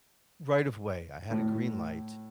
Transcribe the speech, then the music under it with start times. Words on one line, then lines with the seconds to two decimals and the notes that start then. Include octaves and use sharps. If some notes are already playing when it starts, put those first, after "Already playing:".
right of way, I had a green light,
1.31 A2